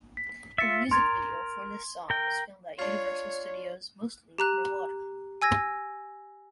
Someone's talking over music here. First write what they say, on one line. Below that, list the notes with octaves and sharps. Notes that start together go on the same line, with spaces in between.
The music video for this song was filmed at Universal Studios mostly underwater.
B6
F4 E5 A6 C#7
A#4 C6 G#6 A6
A#4 G5
D4 F4 C#5
G4 A#5 F#6
G#5 E6 G#6 A#6